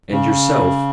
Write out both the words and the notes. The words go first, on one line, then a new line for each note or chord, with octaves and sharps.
"And yourself?"
C#3